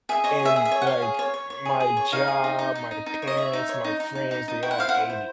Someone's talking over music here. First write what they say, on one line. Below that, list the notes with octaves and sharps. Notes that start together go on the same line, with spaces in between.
And like, my job, my parents, my friends, they all hate it.
G#4 E5
C#5 D#5
G#4
E5
G#4
E5
C#5
F#5
C#5 F5
G#4
C#5
C#5
C#5
G#4
G#4
C#5
D#4 F5
G#4
D#4
D#4
D#4
D#4
D#4
C#5
D#5
C#5 E5
D#4
C#5
D#4
D#4
D#4
D#4
D#4
E4 G5
F#5
C5 F5
F#5
E4
C5